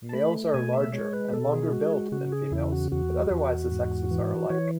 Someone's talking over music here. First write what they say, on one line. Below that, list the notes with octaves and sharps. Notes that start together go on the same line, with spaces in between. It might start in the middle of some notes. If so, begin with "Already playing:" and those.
Males are larger and longer-billed than females, but otherwise the sexes are alike.
A5
A3 B5
B2 G#5
E5
G#3 C#5
B4
B2 A4
G#4
E4
G#3 F#4
G#4
F#4
C#3 F#4
G#4
E2 E4
F#4
E2 F#4
E2
G#2
E3
E3 C#5